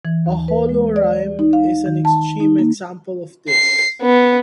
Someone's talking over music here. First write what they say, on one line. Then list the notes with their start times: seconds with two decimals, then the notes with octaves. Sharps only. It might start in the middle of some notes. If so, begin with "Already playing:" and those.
A holorime is an extreme example of this.
0.05 E3
0.26 D#2
0.48 B4
0.69 G#3
0.96 D5
1.39 D#4
1.53 F5
1.86 D#3
2.05 A5
2.40 D#4
2.59 A#3
3.49 C7
4.02 B3